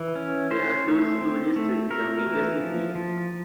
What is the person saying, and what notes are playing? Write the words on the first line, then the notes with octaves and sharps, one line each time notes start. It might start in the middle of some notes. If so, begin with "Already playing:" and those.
There are two school districts serving the city.
Already playing: E3
C#4
C#4 C5
A3
C4
A3
A3 A#4
E3
F3
F3